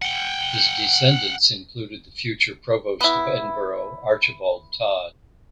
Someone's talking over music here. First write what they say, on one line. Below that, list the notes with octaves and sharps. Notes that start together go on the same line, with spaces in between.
His descendants included the future Provost of Edinburgh Archibald Tod.
F#5 G5
B3 E4